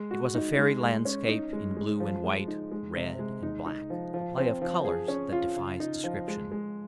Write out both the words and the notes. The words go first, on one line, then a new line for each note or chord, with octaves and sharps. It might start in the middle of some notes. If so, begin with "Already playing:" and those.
It was a fairy landscape in blue and white, red and black, a play of colours that defies description.
Already playing: G#3
F#4
D#4
G#3
G#3
C#4
D#4
G#3
G#3
F3
G#3
D#4
G#3
C3
G#3
D#4
D#4
F3
F3
C4
F3
G#4
C#4
F4
C#3
D#4
F3
G#3
G#3